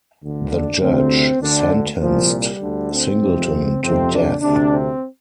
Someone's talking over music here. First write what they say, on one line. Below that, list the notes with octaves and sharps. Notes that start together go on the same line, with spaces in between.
The judge sentenced Singleton to death.
D2 D3
D4
D2 C3 C4
D2 D3 D4
C2 A#2 F3
G3
D2 D3
C4
F2 C3
F2 C3 C4
D4
D2 C3 D4
C4